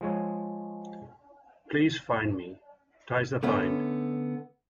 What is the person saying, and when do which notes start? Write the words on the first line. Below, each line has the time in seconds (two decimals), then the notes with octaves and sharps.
Please fine me, Ties That Bind.
0.01 F3 G#3 C#5
3.43 D3 A3 B3 C#4